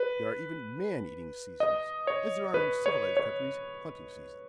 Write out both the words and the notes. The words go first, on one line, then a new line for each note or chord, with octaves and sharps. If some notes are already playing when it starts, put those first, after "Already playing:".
There are even 'man-eating seasons,' as there are in civilized countries hunting seasons.
Already playing: B4
D#5
C#5
B4
C#5
C#5